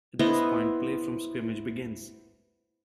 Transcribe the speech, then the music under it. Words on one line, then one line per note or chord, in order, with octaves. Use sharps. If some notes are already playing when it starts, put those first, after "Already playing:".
At this point, play from scrimmage begins.
B3 E4 C5 D#5